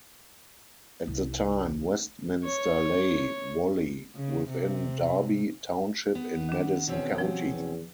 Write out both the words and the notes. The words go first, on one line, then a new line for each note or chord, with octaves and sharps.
At the time, Westminster lay wholly within Darby Township in Madison County.
C2 C3
C#5
C#3
C3
B3
D#3 D4
E2 B2 C4 C#4
F3 G3 F#4
E2